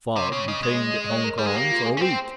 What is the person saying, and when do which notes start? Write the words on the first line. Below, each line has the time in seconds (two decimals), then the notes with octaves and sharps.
Fogg detained at Hong Kong for a week!
0.16 C3 C#5
0.33 C#3 C#5
0.48 C#3 D#5
0.63 G#3
1.05 D#5
1.10 C#5
1.24 A#4
1.39 G3 G#4
1.47 G#3
1.55 A#3 G4
1.71 F4
1.86 G#4
1.97 C#4
2.01 C4 C5